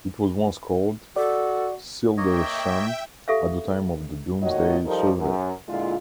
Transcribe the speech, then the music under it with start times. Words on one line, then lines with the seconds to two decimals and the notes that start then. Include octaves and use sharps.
It was once called "Cildresham", at the time of the Domesday survey.
1.16 F#4 A4 D5
2.17 A#3 C#5 D#5 E5 G5
3.28 G4 A4 E5 F5
4.42 A#2 D#3 A3 F#4 C#5 D#5
4.86 F3 G3 D#4 A4 A#4
5.18 F#2
5.68 A#2 D3 G#3 E4 F4